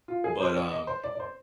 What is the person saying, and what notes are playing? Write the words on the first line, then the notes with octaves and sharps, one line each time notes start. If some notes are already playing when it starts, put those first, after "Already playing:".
but, um
F4
G#4
C5
D5
D#5
C5
D5
D5
C5